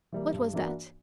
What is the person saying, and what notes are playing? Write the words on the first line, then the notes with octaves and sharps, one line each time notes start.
What was that?
E3 G3 A#3
G2
E3 A#3 D4 F#4